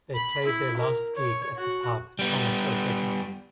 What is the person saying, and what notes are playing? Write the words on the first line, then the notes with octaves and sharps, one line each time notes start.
They played their last gig at the pub Thomas O'Becket.
B5
E4
A#4
C#5
F#4
G3 B3